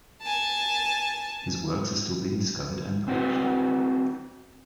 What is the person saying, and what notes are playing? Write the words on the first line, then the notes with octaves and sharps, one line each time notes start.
His works are still being discovered and published.
G#5 A5
C4 E4 F#4 G#4 B4 C5